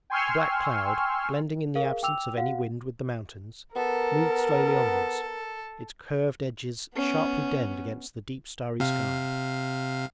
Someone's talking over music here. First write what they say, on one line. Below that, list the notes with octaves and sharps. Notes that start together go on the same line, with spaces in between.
The black cloud, blending in the absence of any wind with the mountains, moved slowly onwards, its curved edges sharply denned against the deep starry sky.
G5 G#5 C6 C#6 E6 F6
G#4 A#4 F5
G5 D6 E6 F7
F#4 F5 F#5
B3 A4 A#4
B3 C#4
C3 F5